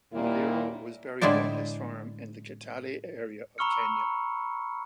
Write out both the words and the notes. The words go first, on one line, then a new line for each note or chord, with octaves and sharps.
Muliro was buried on his farm in the Kitale area of Kenya.
D#2 A#2 G3 A#3 E4
A2 D3 G#3 E4 C5 D5
A#5 B5 C#6 E6 F6 C#7